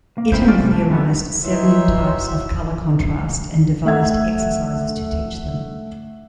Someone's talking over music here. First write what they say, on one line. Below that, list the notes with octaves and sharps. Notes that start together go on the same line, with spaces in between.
Itten theorized seven types of color contrast and devised exercises to teach them.
A#3
A#3 C4 E4 G#4 C5
G#3 C#4 D4 F4 D5
C3 G3
A5
F#2 C#3 G3 A3 B3
E3 D#4 F#4 C#5 E5 C6
A3 E5 F#5 G#6